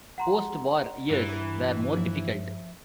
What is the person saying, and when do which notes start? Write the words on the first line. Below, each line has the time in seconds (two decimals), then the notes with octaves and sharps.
Postwar years were more difficult.
0.18 F#5 A#5 C6
1.10 G2 E3
1.93 F3 E5